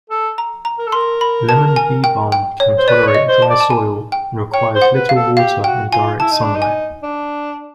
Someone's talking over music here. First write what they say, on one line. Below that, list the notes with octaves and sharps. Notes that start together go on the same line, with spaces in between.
Lemon beebalm can tolerate dry soil, and requires little water and direct sun light.
A4
A#5
A#5
A#4
A4
A#4 C6
B5
A5
G#5
G5
G5
C#5
C5
B4 D5
C#5
D#5
C5
A5
D5
A5
G#5
G5
C#5 G5
C5
F#5
B4
F5
A4
G4 F5
F#4 G5
F4 G#5
E4 A5
D#4
D4
D#4
G#5
D4